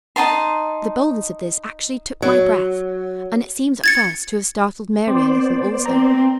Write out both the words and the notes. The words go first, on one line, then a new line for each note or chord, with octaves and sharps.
The boldness of this actually took my breath, and it seems at first to have startled Mary a little, also.
D#4 F4 A5 C6
F#3
G#6 A6 C#7
B3 C4 C5 D5
C4 A#5